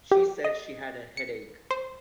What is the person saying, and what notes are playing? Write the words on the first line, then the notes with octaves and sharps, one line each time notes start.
She said she had a headache.
G4
D#5
C#7
C5